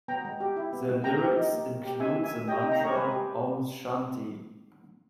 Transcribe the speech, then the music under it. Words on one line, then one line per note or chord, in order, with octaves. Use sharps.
The lyrics include the mantra Om shanti.
B3 G5 A#5
G#3
G4
E4
B3
G#3
A#3 G5 A#5
G4
D#4
A#3
A#3
G4
D#4 E5 G#5
A#3
E5 G#5
A#3
G4 D#5 G5
D#5 G5
D#4
G5 A#5
A#3 A#4 C#5
G#3 G#4 B4
G4